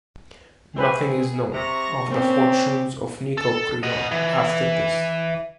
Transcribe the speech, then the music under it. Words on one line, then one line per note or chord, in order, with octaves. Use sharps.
Nothing is known of the fortunes of Nicocreon after this.
C4 C#4 G#4 B4 C5
C3 A#5 C#6
A#3 C4 C#4 G4
A4
D#5 F#5
E3